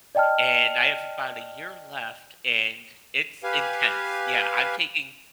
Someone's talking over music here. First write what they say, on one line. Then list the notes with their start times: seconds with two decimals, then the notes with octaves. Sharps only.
and I have about a year left, and it's intense. Yeah, I'm taking
0.15 D5 D#5 G5 A5 F6
3.43 G4 B4 F5 G#5